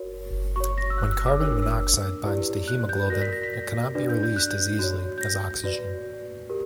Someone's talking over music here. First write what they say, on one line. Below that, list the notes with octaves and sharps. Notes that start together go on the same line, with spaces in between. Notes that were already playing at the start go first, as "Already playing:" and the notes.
When carbon monoxide binds to hemoglobin, it cannot be released as easily as oxygen.
Already playing: F#4 A#4 C#5
F#4 C#5 C#6
A#6
E6
F#6
E6
D6
D4 A#4 C#5 E6
E6
E4 G4 B4 D5
F#6
G6
F#4 A#4 D5 A#6
B6
A#6
B6
A#6
D4 F#4 B4 D5
G6
G6
F#6
G6
F#4 C#5
G6
A#6
F#4 B4 D5
G4 A#4